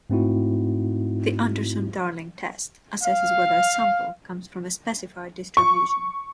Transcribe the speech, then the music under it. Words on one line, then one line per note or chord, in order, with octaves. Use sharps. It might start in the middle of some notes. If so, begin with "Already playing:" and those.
The Anderson-Darling test assesses whether a sample comes from a specified distribution.
G#2 A3 C4 D#4 E4 F#4
F5
C#6